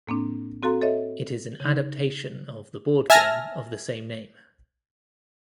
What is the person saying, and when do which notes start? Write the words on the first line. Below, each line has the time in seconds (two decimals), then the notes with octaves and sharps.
It is an adaptation of the board game of the same name.
0.07 A2 A#3 C4 D4
0.63 C4 F#4 A4 F5 A#5 C6
0.82 A4 C#5 D#5 E5
1.60 C#3 D#4
3.10 E5 G#5 A5 F6 A#6